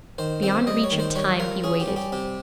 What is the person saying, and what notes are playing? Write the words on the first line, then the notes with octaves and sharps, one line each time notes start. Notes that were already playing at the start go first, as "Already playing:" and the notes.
Beyond reach of time he waited.
D#3 C5
C4 C5
G3 D#5
C#5
D#3
C5
G3 C#5
F4 A#4
C#4 G#4
G4
G3
G4
C3 G4